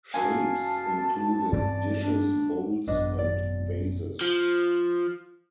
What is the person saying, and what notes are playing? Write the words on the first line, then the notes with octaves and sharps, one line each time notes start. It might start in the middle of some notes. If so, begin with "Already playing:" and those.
Shapes included dishes, bowls, and vases.
F#2 F5 G#5 A5
G2 E3 C4 D5
D4
G#1 F#2 B2 D4 B4 D#5
D5
F3